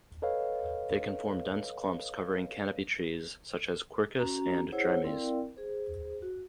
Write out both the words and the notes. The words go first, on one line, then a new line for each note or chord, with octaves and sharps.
They can form dense clumps covering canopy trees such as "Quercus" and "Drimys".
A4 B4 C#5 D#5 F5
C#4 F#4 A#5
E4 G#4 C5 C#5 F#5
C4 E4 A#4 D5 F5 G5
G#4 C5
F#4